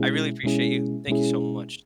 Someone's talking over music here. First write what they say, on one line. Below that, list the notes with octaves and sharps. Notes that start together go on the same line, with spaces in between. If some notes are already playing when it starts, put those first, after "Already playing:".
I really appreciate you, thank you so much.
Already playing: B2 G#3 C#4 E4 G#4
B2 G#3 C#4 E4 G#4
B2 G#3 C#4 E4 G#4